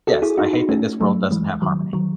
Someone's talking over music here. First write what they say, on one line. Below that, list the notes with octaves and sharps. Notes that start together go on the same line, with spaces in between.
Yes, I hate that this world doesn't have harmony.
F#4 A4
E4 G#4
D#4 F#4
D#4 F#4
A3 C#4
F#3 A3
E3 G#3
D#3 F#3
D#3 F#3